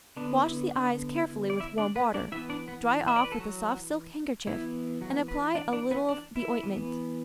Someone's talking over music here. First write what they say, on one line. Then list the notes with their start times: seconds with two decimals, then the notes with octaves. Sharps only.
Wash the eyes carefully with warm water, dry off with a soft silk handkerchief, and apply a little of the ointment.
0.16 D3 B3 D4
0.43 E4
0.71 D4
1.25 E4
1.50 D5
1.60 E4 E5
1.78 D4 D5
1.96 B3 B4
2.14 D4 D5
2.32 E3 B3 E4 E5
2.49 D4 D5
2.68 B3 B4
3.08 E5
3.16 D5
3.25 B4
3.32 A4
3.40 F#3 F#4
4.47 E3 B3 E4
5.01 F#3 F#4
5.28 B3 B4
5.55 D4 D5
5.73 D4 D5
5.91 B3 B4
6.09 D4 D5
6.36 E4 E5
6.63 E3 B3